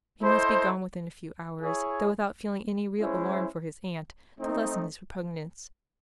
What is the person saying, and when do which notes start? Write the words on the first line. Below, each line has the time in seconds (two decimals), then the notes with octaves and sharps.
He must be gone within a few hours, though without feeling any real alarm for his aunt, to lessen his repugnance.
0.21 E4 A4 C5 D#5
1.60 E4 G#4 C#5
2.98 G#3 C#4 E4 C5
4.37 A3 C4 D#4